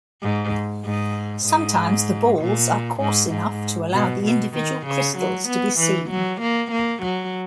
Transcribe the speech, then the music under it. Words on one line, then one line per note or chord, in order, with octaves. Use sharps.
Sometimes the balls are coarse enough to allow the individual crystals to be seen.
G#2
G#2
G#2
A#2
G#2
G#2
B2
B2
D#3
C#3
F#3
B3
E3
F#3
A#3
A#3
F#3